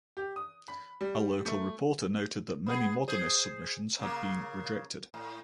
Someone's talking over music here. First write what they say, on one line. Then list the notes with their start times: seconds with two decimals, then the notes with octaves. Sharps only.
A local reporter noted that many "modernist" submissions had been rejected.
0.17 G4
0.36 D#6
0.68 B5
1.01 G3
1.45 A3
2.66 B3 G#4
3.08 G#4 C5
3.99 C#3 A#3
5.14 A2